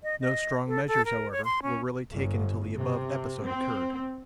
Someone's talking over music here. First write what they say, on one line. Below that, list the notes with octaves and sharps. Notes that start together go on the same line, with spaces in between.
No strong measures, however, were really taken until the above episode occurred.
D#5
D#5
A4
A4
A#4
C#5
C6
C#4
G1
C3
C4